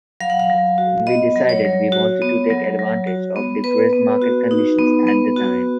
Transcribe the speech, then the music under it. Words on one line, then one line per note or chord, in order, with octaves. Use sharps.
We decided we wanted to take advantage of depressed market conditions at the time.
F#3 F5
F#5
F5
F#3
F#4
B3 D#5
F#3
C#5
F#3
F#4
B3
F#3
F#3
F#4
B3
B3 B4
B3
F#4
D#4
B3
B3
F#4